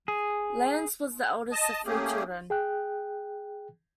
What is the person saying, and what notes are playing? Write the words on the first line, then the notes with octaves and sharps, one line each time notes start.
Lance was the eldest of three children.
G#4
D#5 A5
A3 A#3 C#4 G4 G#4
G#4 G5 F#6